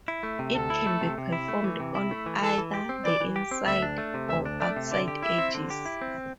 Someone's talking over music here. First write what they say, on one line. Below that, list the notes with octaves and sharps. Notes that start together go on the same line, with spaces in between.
It can be performed on either the inside or outside edges.
E4
A3
C3
D2 A4
E4
A3
C3
C3
E4
A3
E3
C3
E4
A3
E3
E3 A4
E3
G4
C4
E3 D5
E3
G4
C4
D2 E5
D4
A3
C3
D2 E5
D4
A3 D5
C3
D3 D5
G4
E4 E5
C4
D3
G4
E4
C4